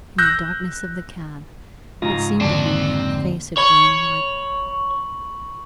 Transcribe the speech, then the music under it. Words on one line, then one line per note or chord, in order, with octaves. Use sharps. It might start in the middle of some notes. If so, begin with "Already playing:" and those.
In the darkness of the cab it seemed to him that her face had grown whiter.
E6 F#6 G6 A#6
G#2 C#3 D#4 F4 A#5
F2 D3 A#3 C4 D5 A5
C#5 B5 C#6 F#7